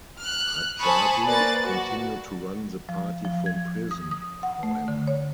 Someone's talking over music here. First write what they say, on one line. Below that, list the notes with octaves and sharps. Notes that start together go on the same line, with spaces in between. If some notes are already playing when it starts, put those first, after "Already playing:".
Radjabu continued to run the party from prison, however.
F6 F#6
C5 G#5 A5 B5 C#6 D#6
A#3 B4 D5 F#6 A6
F#4
F3
F3
G#6
D#6
D#6
F#5
A3
D3
C#5